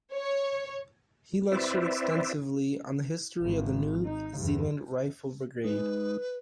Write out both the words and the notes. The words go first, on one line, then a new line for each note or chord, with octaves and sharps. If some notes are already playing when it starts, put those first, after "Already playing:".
He lectured extensively on the history of the New Zealand Rifle Brigade.
C#5
C4 E4 B4 C5 D5 E5
G#1
D#4
E2 G2
G#3 D#4 B4